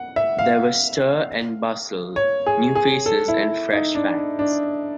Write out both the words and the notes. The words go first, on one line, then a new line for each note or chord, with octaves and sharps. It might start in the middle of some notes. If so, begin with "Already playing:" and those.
There were stir and bustle, new faces, and fresh facts.
Already playing: F#5
E5
F5
C#5
G#4
G#4
A4
E4
D#4
D4
D4